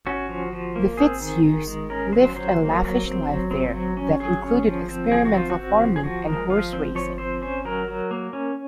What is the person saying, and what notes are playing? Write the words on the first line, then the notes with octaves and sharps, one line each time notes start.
The Fitzhughs lived a lavish life there that included experimental farming and horse racing.
C#4 F#4
F3
F3
A#3
C4 G#4
D#3
D#3
G#3
C#4 A#4
F#3 C5
F#3 C5
A#3
F#3
C4
F#3
C4
F#3
C#4
F#3 G#4
C#4
F3
C4
F3 G#4
F#4
C4 F4
F#4
C4
F3
G#4
F3 F#4
G#3 A#4
F3 F5
C4
F3 C#5
C4 C5
C#4 C5
F#3 A#4
F#3
A#3
C#4